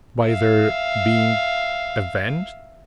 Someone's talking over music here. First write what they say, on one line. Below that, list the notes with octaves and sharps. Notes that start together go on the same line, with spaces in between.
By their being avenged?
E5 F5